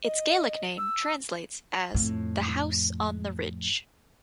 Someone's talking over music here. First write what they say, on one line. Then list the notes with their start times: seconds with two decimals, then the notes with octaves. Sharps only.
Its Gaelic name translates as "the house on the ridge".
0.04 D#5
0.78 E6
1.94 F2 A2